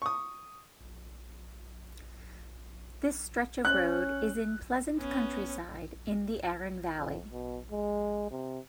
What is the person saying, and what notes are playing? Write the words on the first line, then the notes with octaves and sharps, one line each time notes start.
This stretch of road is in pleasant countryside in the Aeron Valley.
C#6 D#6
C#4 F#6
B3 C#4
F2
B2
G#3
C3